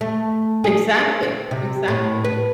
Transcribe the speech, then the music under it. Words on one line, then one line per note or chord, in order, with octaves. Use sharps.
Exactly, exactly.
A3
G#4
C4
C3
A2
B4